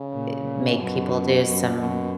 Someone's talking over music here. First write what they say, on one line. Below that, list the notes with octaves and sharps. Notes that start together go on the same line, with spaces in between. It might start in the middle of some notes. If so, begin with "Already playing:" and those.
i make people do some
Already playing: C#3
A#2
F#2 B2
B2
F#2
F#2 B2